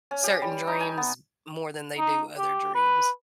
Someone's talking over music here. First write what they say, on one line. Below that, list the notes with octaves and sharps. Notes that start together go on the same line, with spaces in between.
certain dreams more than they do other dreams.
C#4
G4
G3
D#4
G#5
B3
D#4
G4
B4